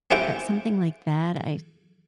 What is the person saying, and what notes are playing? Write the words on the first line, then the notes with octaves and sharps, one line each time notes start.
uh, something like that, I
C4 C#4 E4 G4 F#5 G5